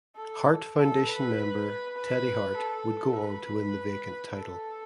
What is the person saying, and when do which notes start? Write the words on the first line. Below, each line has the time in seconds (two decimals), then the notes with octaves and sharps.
Hart Foundation member Teddy Hart would go on to win the vacant title.
0.16 A4
0.77 A4
1.07 B4
1.97 B4
2.57 A4
3.17 B4
4.37 A4